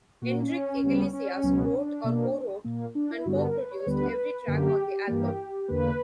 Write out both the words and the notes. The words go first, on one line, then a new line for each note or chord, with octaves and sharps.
Enrique Iglesias wrote or co-wrote and co-produced every track on the album.
A#2 A#3 F#4
C#4
D2 C#3 G3 B3
C#4
C#2 B2 F#3 B3
C#4
D4
B2 A#3
A#2 A#3
D4
E4
G2 D3 G3 B3 F#4
G4
A#4
B4
C#5
D2 D3 G3 B3 B4
F#2 D3 A#3 G4
G2 E3 A#3 G4
E2 D3 A#3 B4